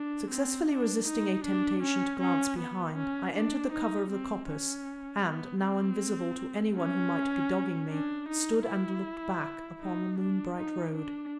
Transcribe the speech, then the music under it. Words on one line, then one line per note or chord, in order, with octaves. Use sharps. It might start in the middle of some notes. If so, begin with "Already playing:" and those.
Successfully resisting a temptation to glance behind, I entered the cover of the coppice, and, now invisible to any one who might be dogging me, stood and looked back upon the moon-bright road.
Already playing: D4
C4
D4
D#4
D4
C#4
C#4
B3
C#4
D4
D#4
C4
C#4
B3
C4
C#4
D4
D#4
E4
D#4
D4
D#4
D4